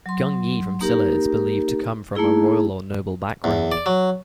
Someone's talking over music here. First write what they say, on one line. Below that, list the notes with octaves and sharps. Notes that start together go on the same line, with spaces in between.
Gung Ye from Silla is believed to come from a royal or noble background.
F#3 C6
A#3 D#4 G4 A#4
A3 A#3 D#4 E4 G#4
E2
D5
F#3